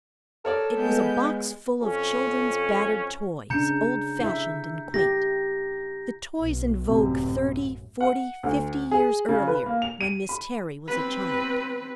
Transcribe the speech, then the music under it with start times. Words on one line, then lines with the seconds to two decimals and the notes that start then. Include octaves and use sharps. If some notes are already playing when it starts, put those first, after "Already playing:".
It was a box full of children's battered toys, old-fashioned and quaint; the toys in vogue thirty--forty--fifty years earlier, when Miss Terry was a child.
0.45 A4 A#4 C#5 D5
0.76 G#3 B3 G6
1.81 F2 C#4
3.50 C#3 D4 A#5 G6 C#7
4.20 E4 E5
4.94 G4 A#6
6.38 B1
6.89 A1 F#2 C3
8.01 F#5
8.43 D2
8.91 G#4
9.29 C#3
9.47 B4
9.66 A#3
9.82 F7
10.01 D#7
10.29 B5
10.88 C4 B4